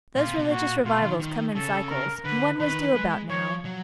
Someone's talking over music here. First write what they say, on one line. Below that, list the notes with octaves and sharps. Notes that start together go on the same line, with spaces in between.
Those religious revivals come in cycles, and one was due about now.
A#2 F4
C3
B2
A#2 F#4
B2 F4
D#3
D#3
C#3 A4
A#4
D3 B4
D#3 B4
G#3
F3 C#5
F#3